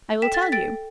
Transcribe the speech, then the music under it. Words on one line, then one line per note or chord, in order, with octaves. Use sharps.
I will tell you.
A4 G5 B6 E7
A6
B6
A4 G5 A6 D7